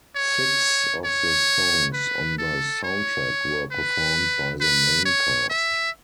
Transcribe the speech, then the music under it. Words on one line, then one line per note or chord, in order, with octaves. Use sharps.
Six of the songs on the soundtrack were performed by the main cast.
C#5
C#5
B4
A4
C#5
B4
B4
C#5
E5